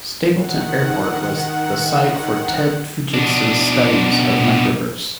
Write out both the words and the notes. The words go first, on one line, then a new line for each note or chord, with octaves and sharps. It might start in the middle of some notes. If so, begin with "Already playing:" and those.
Stapleton Airport was the site for Ted Fujita's studies of microbursts.
D#3 F#5
B2 D4